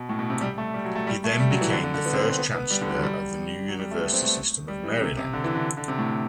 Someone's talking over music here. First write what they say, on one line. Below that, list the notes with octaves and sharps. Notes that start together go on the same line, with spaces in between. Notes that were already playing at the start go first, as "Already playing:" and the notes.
He then became the first chancellor of the new University System of Maryland.
Already playing: B2
A2
B2
C3
G3
A3
G3
F#3
A3
G3
A3
G3
F#3
E3
D3
D3
D3
B3
C4
B3
C4
B3
B3
G3
D3
E3
F#3
G3
F#3
G3
A3
B3
C4
A3
G3
E3
C3
C3
D3
E3
D3
D3
C3
A2